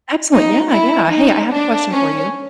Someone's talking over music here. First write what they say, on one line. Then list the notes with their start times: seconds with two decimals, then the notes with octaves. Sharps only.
Excellent. Yeah, yeah. Hey. I have a question for you.
0.33 D#4
0.72 E4
1.12 D#4
1.52 D4
1.93 C#4